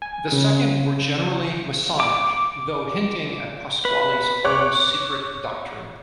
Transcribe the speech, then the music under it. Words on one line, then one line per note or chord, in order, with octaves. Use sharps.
The second were generally Masonic, though hinting at Pasqually's own secret doctrine.
G#5
C#3
D6
B4
C#5 C#6 D6 F#6